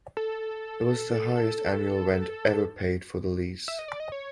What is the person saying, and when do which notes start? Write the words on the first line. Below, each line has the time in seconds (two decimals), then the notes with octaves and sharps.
It was the highest annual rent ever paid for the lease.
0.17 A4
3.68 E5
3.79 D#5
3.88 D5
4.00 D#5
4.12 C#5